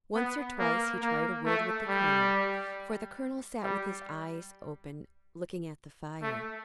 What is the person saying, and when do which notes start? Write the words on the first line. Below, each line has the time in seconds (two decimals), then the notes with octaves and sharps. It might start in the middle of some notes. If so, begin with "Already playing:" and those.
Once or twice he tried a word with the colonel, for the colonel sat with his eyes open looking at the fire.
0.15 B3
0.59 A#3
1.02 A#3
1.45 A3
1.88 G3
3.62 G3
6.22 A3